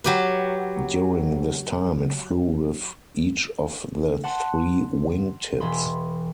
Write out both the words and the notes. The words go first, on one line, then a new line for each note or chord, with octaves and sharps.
During this time it flew with each of the three wing tips.
F#3 G4 B4
F#5 A5 C6
E1 E3 E4 B5 C6